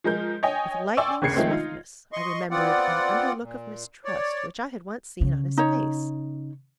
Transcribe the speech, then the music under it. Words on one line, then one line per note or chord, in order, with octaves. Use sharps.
With lightning swiftness I remembered an under-look of mistrust which I had once seen on his face.
F3 G#3 A#4 G6
C#5 D#5 G5 G#5
D5 G5 G#5 C6 C#6 E6
G1 D#2 C#3 G#6 C7 C#7
D#3 F3 G#3 A3 C4 D4
D#4 F4
D#5 C6 C#6
B3 C4 F4 D5 F#5
A#2
C#5 D5
C#3
D#4 C#5